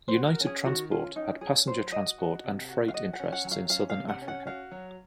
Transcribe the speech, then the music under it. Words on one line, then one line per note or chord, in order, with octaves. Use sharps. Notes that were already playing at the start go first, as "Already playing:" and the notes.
United Transport had passenger transport and freight interests in southern Africa.
C5
F#4
A#4
C#4
G#4
D#3 F#4
C#4 F4
C#4 D#4
C#4 G#4
F#3 C5
F#4 D#5
F#4
C3
F#4
F5
F#4 D#5
F#5
C#4
F#5
F#3
F5
C#4 F5
F5
C3
F#5
C#4
F#5
F#4 F5
F#3